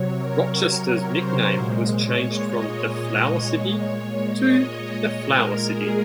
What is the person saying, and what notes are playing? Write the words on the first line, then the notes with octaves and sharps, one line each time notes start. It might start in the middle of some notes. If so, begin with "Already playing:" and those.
Rochester's nickname was changed from the Flour City to the Flower City.
Already playing: C3 F#3 C#5
A#4
C5
A#2 G#3
C#5
D#5
C#5
A#2 G#3 C#5
D#5
C#5
A#2 G#3 A#4
G#4